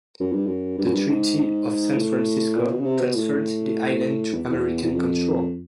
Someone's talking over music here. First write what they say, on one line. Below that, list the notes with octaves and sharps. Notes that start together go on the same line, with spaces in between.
The Treaty of San Francisco transferred the island to American control.
F#2
G2
F#2
G2
F#2
G2
G#2
A2
A#2
B2
C#3
C3
B2
A2
E2
E2
E2
F2